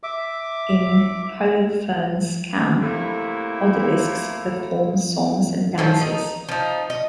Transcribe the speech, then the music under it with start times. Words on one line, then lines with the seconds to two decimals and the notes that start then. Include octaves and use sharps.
In Holofernes' camp, odalisques perform songs and dances.
0.03 E5 D6
2.82 A2 C3 A3 A#3 E4
5.78 F3 F#3 A3
6.01 D#4
6.49 F3 D#4
6.90 D#5